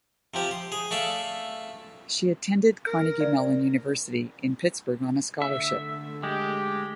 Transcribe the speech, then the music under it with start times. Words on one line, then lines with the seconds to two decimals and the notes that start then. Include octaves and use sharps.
She attended Carnegie Mellon University in Pittsburgh on a scholarship.
0.34 C3 F3 G4
0.51 C6
0.72 G#4
0.91 A3 D5 E5 F5
2.87 A#4
3.21 D5
5.42 D3 A3 E5
6.23 G#3 G4